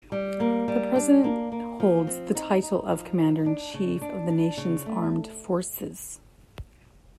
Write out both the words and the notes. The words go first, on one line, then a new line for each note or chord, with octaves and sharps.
The President holds the title of commander-in-chief of the nation's armed forces.
G3
A#3
G3
D4
A#3
A#3
F3
C4
D#4
D#4
F3
D#4
D4
C#3
D4
D4
C#3
A3